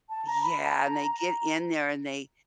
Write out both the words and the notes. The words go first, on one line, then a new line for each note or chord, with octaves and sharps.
Yeah and they get in there and they
A5
A#5
B5
A5
A#5
A#5